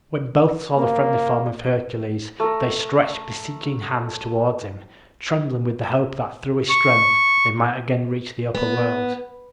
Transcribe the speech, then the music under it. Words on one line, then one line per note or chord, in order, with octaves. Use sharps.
When both saw the friendly form of Hercules they stretched beseeching hands towards him, trembling with the hope that through his strength they might again reach the upper world.
A#3
A3 A#4
C#6
B3